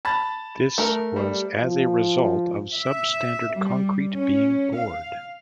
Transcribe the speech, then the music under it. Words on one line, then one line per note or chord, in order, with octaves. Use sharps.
This was as a result of sub-standard concrete being poured.
A5 B5 A6
A3 A#4
G3
F3
E5
G3
C#4
F5